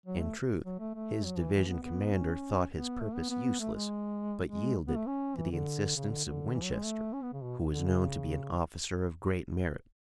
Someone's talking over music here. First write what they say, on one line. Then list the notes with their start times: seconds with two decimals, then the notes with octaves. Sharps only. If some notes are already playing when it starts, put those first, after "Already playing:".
In truth his division commander thought his purpose useless, but yielded to the insistence of Winchester who was known to be an officer of great merit.
0.06 F#3
0.21 A3
0.65 F#3
0.79 A3
0.94 A3
1.24 F#3
1.39 E3
1.54 E3
1.68 B3
1.83 B3
2.12 C#4
2.71 B3
3.01 A3
3.15 B3
3.30 B3
3.60 A3
3.74 G#3
4.48 G#3
4.88 B3
4.97 A3
5.07 C#4
5.36 E3
5.51 D3
5.96 C#3
6.10 D3
6.24 D3
6.54 E3
6.64 F#3
6.74 G#3
6.84 A3
7.13 C#4
7.23 B3
7.33 C#3
7.43 B2
7.72 D3
7.87 C#3